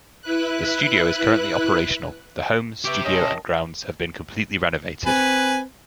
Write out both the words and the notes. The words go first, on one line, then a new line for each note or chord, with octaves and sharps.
The studio is currently operational, the home, studio and grounds have been completely renovated.
E4 B4 F#6
G4 B4 E5 C#6 D6
C#4 A#4 D#5 A5
C4 B4 G#5